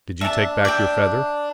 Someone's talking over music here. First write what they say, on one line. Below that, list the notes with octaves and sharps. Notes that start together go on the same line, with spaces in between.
Did you take back your feather?
D4 E5 A5
D5 E5 G5